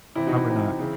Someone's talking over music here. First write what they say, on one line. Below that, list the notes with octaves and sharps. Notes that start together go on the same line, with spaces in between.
Probably not.
C3 E3 C4 E4
D#4 F#4
E4
C3 E3 C4
C#3 E3 C4